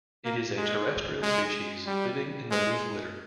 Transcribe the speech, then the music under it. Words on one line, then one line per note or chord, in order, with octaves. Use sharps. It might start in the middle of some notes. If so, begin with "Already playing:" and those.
It is a terrestrial species living in the leaf litter.
A#3
G#3
G#3
G3
G#3